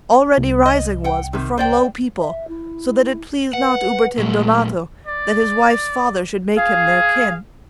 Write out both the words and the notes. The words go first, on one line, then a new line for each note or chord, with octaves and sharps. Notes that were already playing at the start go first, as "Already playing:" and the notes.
Already rising was, but from low people; So that it pleased not Ubertin Donato That his wife's father should make him their kin.
C2
D#5
F#5 G5
C3 D#3
C5 D5 G5
E5
E4
B4 F#5
A#2 F#3 A3
D5
G#4 F5